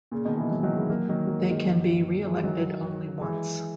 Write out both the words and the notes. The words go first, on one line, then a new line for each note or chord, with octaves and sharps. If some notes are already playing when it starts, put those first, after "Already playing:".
They can be re-elected only once.
A#2 C#3
B2 D#3
C#3 E3
D#3 F#3
D#3 F#3
E3 G#3
F#3 A#3
D#3 F#3
F#3
G#3
D#3 F#3
E3 G#3
D#3 F#3
E3 G#3